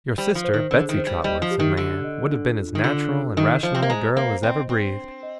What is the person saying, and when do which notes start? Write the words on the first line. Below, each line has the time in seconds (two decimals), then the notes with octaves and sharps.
'Your sister, Betsey Trotwood,' said my aunt, 'would have been as natural and rational a girl as ever breathed.
0.18 G3 C5
0.35 F3
0.44 C5
0.54 D#3
0.71 D3 G#4
0.89 D#3
0.98 C5
1.07 G3
1.24 G3 D#5
1.42 F3
1.51 G4
1.60 D#3
1.77 D3 G4
2.04 D#5
2.30 D4
2.58 F4
2.75 D#3
2.84 D3 F4
3.10 F4
3.37 D#3 D#5
3.63 F3 C5
3.75 C4
3.82 A#3
3.90 G#3 A#5
4.17 A#3 C5
4.43 C4 D#5
4.69 C4 C5
4.96 D4
5.23 D#5